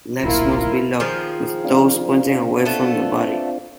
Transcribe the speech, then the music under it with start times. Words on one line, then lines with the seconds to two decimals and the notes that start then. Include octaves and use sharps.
Legs must be locked, with toes pointing away from the body.
0.23 D1 A#1 E4 F4 A#4
1.00 D#3 F3 G#4
1.64 C4 D4 F4
2.65 A3 B3 A4